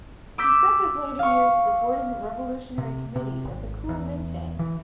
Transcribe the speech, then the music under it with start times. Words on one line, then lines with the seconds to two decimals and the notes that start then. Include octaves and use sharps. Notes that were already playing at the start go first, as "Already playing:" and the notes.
He spent his later years supporting the Revolutionary Committee of the Kuomintang.
0.38 D6 E6 G6 B6
1.19 F5 C#6
2.78 C3
3.16 C3
3.45 G#1
3.89 E2
4.59 E3